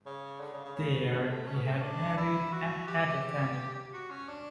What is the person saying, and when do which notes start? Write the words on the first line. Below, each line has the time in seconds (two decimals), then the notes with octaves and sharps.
There he had married and had a family.
0.06 C#3
0.40 D3
0.52 C#3
0.64 C#3
0.76 C#3
1.11 B2
1.29 A3
1.46 C#4
1.55 B3
1.64 A3
1.73 C#4
1.82 D4
2.17 E4
2.52 F#4
2.88 G4
3.93 F#4
4.10 C#4
4.28 D4